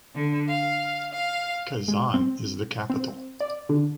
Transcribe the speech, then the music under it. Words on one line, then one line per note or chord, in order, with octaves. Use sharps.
Kazan is the capital.
D3
F5
F5
G#3
C4
C4
D5
D3